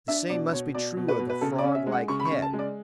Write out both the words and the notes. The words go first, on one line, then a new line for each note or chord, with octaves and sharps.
The same must be true of the froglike head.
D4 E5
B2 D5
B2 C#5
B2 D5
B2
B4
B2
B4
C#3 A4
D5
C#4
E5
G#3
F#5
C#3 C#6
B5
C#6
C#3
A5
G#3
D5